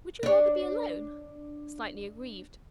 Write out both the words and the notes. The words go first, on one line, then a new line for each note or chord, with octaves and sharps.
"Would you rather be alone?" slightly aggrieved.
D4 C#5